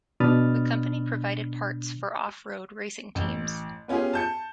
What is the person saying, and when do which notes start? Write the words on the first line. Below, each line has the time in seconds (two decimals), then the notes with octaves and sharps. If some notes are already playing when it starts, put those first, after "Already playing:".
The company provided parts for off-road racing teams.
0.20 B2 D4 B5 D#6 F6 A6
3.15 A1
3.88 B3 C#4 F4 G4 G#4
4.13 A5 G6 C#7